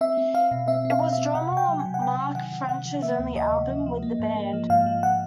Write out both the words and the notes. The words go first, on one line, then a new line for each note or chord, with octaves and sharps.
It was drummer Mark French's only album with the band.
C4 E5
C4
C4 F5
B2
C4 E5
C4
F5
B2
E5
C4
C3 F#5
C3
G5
F#3
G#5
C3
F#5
C3 G5
C3
D#3 F#5
D#3
C3 F#5
F3
A#3 E5
D2
D2 D#5
C3
F3
F3
A#3
G#2
A#3
F3
G#2 F5
F3
F#5